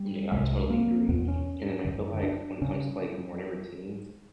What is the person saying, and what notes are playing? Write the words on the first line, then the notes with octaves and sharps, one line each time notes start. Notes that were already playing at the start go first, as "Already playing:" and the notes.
Yeah, I totally agree. And then I feel like when it comes to, like, morning routines,
Already playing: G3
C2 C3 G#3
A#3
E2 B2 B3
C#4
F#2 D3
D4
C#3 C#4